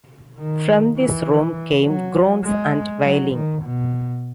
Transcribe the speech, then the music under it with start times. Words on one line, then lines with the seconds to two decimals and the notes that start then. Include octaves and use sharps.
From this room came groans and wailing.
0.38 D#3
0.98 E3
1.86 F#3
2.44 G#3
3.04 F#3
3.33 D#3
3.63 B2